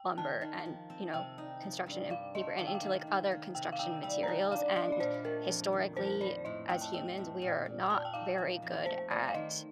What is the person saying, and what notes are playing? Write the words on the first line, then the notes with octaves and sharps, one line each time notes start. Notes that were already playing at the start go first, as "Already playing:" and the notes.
lumber and, you know, construction and paper and into, like, other construction materials and, historically, as humans, we are not very good at,
Already playing: G5
D#3 A5
D#3
F3
C4
C3 G5
D#4
F3
G2
G2 F5
A3 D#5
D#3 F5
G5
F5
D#3
D#3
D#3
C3 G5
F5
D#4 G5
G3 G5
A#5
D#4 A5
D4 F5
D4 D#5
D5
A#2 C5
A3 A#4
F2
D#3
F2 C5
F2 D5
A2 D#5
A2 G5
A5
C4 G5
A2
A#2
A#2
A#2 A5
G5
D#4 F5
F2
F2
A3 C5
A3 D5
F5
D#3 D#5